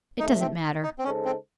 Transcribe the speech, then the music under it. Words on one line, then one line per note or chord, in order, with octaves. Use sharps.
It doesn't matter.
C3 D#3 A3 D#4
C4
D#4
C4
C#3 G#3 C#4 D#4 A4 C5
C4